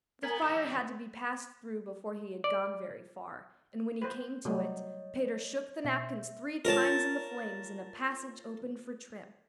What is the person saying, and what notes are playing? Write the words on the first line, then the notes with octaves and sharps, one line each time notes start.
The fire had to be passed through before he had gone very far, and when he came to it, Peter shook the napkins three times in the flames and a passage opened for trim.
B3 A#4 G#5
C#4 G4 E6
E3 G3
D5
B4 C5
C3 F#3 G3 A3 C#5 D#5
B2 E5
F4 A#4 C#5 A5